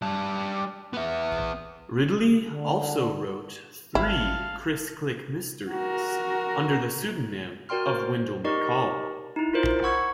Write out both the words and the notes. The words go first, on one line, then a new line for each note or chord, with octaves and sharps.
Ridley also wrote three Chris Klick mysteries under the pseudonym of Wendell McCall.
G3 A5
B3 E5
D3
G#1 E4 F5 A5
F#4 A#4
F#4 A#4 D5 G5 C6 F6
C5
D#4 G4 A#4 D5 D#5 C#6
D#4 E4
F4 A#4 C5 D5
F#5 B5 C#6 E6 G#6